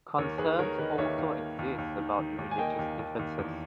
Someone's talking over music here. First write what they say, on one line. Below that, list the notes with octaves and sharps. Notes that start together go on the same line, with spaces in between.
Concerns also exist about religious differences.
D#2 A#4 C#5
D#2 G#4 B4
D#3 A#4 C#5
D#3 B4 D#5
D#2 C#5 E5
D#2
A#3
D#2
D#2
D#3
D#3
D#2
G#5
A#3 D#5 G5
D#2
D#2
D#2
E2